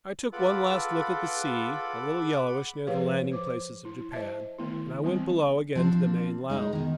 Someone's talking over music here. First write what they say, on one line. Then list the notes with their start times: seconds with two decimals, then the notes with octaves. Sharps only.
I took one last look at the sea, a little yellowish near the landing places of Japan, and I went below again to the main lounge.
0.33 F4 G#4 A4 B4 F#5 B5 D6
2.87 F3 G4 G#4 B4 C#5 F5
3.32 C5 D6
3.85 E4
4.12 C5 D#5 E5 A5
4.59 D#3 A3 B3 E4
5.03 E3 G3 B3 C4
5.75 F3 C4 D4
6.50 G#3 D#4
6.73 B2 D#3